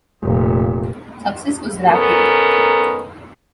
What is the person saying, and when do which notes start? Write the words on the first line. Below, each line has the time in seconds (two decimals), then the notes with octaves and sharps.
Success was rapid.
0.23 F1 A#2
1.90 D#3 B3 C#4 A4 A#4